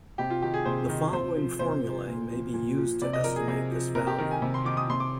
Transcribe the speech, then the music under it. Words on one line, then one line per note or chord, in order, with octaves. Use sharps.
The following formulae may be used to estimate this value.
C3 G4
F4
D#3 G4
G#4
C3 C5
D#3
C3 C5
F3
C3 C5
F3
A#2
F3
A#2
F3
C3 D5
D#5
F3 A#4
G#4
C3 G#4
F3
C3 A#4
G4
D#3 A#4
G#5
C3
C6
D#3 D6
D#6
C3 C6
D6